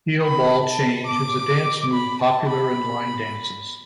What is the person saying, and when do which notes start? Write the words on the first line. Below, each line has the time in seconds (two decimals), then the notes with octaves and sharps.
Heel ball change is a dance move popular in line dances.
0.23 B5
0.66 A5
1.08 D6
1.93 B5
2.22 A5
2.50 B5